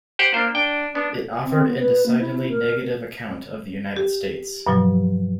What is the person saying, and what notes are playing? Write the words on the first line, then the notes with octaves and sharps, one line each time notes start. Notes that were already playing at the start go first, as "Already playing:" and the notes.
It offered an decidedly negative account of the United States.
G4 C5 F#5
A#3 D4 C5
D4 G5
B3 D4
C4
B3
B4
A#3
E4
A#4
G4
G2 B2 F3 F#3